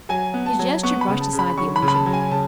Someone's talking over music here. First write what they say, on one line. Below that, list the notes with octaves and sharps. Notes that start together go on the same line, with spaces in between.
His gesture brushed aside the allusion.
F#3 G#5
B3
A5
F#3
B3 C#6
B5
C#3
A5
C#3
B5
B5
F#3 C#6
B5
C#3
B5
A5
F#3
G#5
C#3 A5